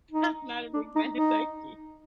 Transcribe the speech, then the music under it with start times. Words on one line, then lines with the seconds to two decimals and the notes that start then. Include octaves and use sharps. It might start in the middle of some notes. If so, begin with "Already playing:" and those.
I'm not a big fan of turkey.
0.11 D#4
0.73 D4
0.95 D#4
1.15 D#4